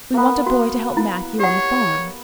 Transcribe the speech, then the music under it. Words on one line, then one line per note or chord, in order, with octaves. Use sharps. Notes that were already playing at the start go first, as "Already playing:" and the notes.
We want a boy to help Matthew on the farm.
A#3 B3
F#4
E4
G4 C#5 F#5